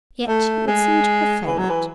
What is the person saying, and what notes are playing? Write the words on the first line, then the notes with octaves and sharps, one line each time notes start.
Yet he would seem to have failed.
A3
G#3
E3
F#3
E3